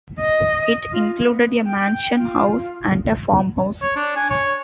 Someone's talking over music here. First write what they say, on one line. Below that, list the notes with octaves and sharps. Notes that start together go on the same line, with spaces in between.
It included a mansion house and a farmhouse.
D#5
F4
B3
G5
F4
C#5
D4
G#5
C#5